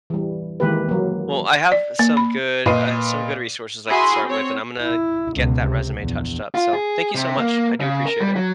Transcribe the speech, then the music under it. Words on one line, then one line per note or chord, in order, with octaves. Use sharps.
Well, I have some good uh, some good resources I could start with, and I'm gonna get that resume touched up, so, thank you so much. I do appreciate it.
E3 G3
D#3 E3 G#3 A#3 G4 B4
F#3 A#3
D5
A#3
B5
A#2 B4 D#5 C7 D#7
E4 F#4 G#4 B5 C6
C4 C#5
E4
C#2 B2
C3
A#1 E2
F4
G#4
C3
A#3
C#3
A#4
G3
F#3